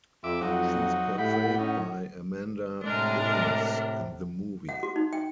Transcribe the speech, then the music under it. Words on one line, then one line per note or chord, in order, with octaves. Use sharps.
She is portrayed by Amanda Ooms in the movie.
F2 E5 D6
F2 F#3 D#4 F#5
A2 G4 B5
C#4 D#4
A2 C3 G#3 D4 A#4
F#5
F#4
D#4
G5